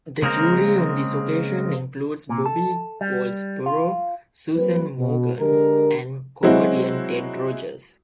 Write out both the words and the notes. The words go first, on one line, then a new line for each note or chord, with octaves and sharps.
The jury on this occasion included Bobby Goldsboro, Susan Maughan and comedian Ted Rogers.
C#3 G#3 A#3 C4 A#4
A#2
A4
G3
F4
F#3 A#3 C4 B4
B2
D3 G#3 D4 G4 A#4
F#3 G#3 C4 E4 F#4